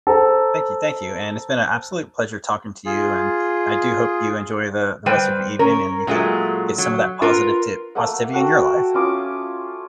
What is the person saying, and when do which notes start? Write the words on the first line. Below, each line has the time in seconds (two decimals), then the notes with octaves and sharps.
Thank you, thank you, and it's been a absolute pleasure talking to you, and I do hope you enjoy the the rest of your evening and you can get some of that positivtiv positivity in your life.
0.07 A4 C5 A#5
2.86 F4 G#4
5.06 G3 B4 C5 G5
5.59 C#4 A#4
6.07 A#2 F#3 G#3 A3
6.78 F#3
7.22 F4 A#4 B4
7.95 A3 A#3 E5 F#5
8.33 F#4 A4 F#5 G5
8.94 C#4 F4 D6 D#6